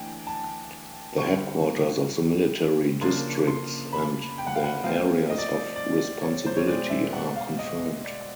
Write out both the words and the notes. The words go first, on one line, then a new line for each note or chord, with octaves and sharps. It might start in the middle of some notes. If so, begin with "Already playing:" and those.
The headquarters of the military districts and their areas of responsibility are confirmed.
Already playing: E3 A3 D4 G5 G#5
A5
D3 G3 C4 C#6
C#3 F3 A#3 D4 C6
C6
B5
G5
F#5
F5
F#5
F3 A3 C4 F5
D#5
D5
D#5
D5
C#5
C5
C#5
B2 G#3 C4 D5
E5
F#5
F5
D#5
D5